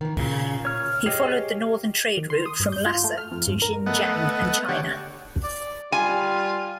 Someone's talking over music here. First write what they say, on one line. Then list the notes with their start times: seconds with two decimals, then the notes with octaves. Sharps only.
He followed the northern trade route from Lhasa to Xinjiang and China.
0.01 D#3 E3
0.19 A#2 C#3
0.65 C#5 F6
1.06 G4 G#4 C#5 D#5
2.17 D#3
2.30 C6
2.46 D#6
2.60 G2
2.72 G6
2.86 F4
3.04 A3
3.17 F6
3.31 F2
3.47 G2
3.62 A#4
3.86 A3 B3 D#5 F#5
4.68 D3 G4 C#5 F#5
5.44 D5
5.92 G3 F4 G#5